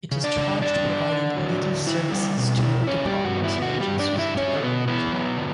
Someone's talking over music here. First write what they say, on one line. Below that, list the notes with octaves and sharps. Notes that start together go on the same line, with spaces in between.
It is charged providing legal services to all departments and agencies of the government.
C#3
D4 D5
C#3
G3 D4 D5
D3
D3
F#3
D3
E4
G3
B2
E4
D3 C#4 C#5
G3 G4
G2
F#4
B3
E4
D3 F#4
G3 G4
G2
D4 D5
G2
E4 E5
F#3 C#4 C#5
A4
B2 B3 B4
B3 E4 B4
F#3
D3